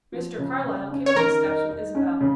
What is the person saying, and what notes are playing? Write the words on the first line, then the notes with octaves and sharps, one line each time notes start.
Mr. Carlyle came up the steps with Isabel.
F3
C#3
C#3
C#4
C#5
D#3 A#4
D#4
D#4
C#4
C#3